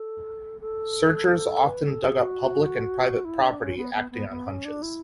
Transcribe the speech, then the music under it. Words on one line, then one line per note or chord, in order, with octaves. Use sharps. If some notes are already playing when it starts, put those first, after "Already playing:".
Searchers often dug up public and private property acting on hunches.
Already playing: A4
A4
B4
A4
G#4
F#4
E4
D4
C#4
B3
B3
B3
B3
C#4
D4
E4